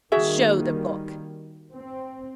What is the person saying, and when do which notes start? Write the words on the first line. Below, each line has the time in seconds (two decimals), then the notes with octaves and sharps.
"Show the book."
0.12 D#3 G3 A#3 F#4 G#4 E5
1.74 C4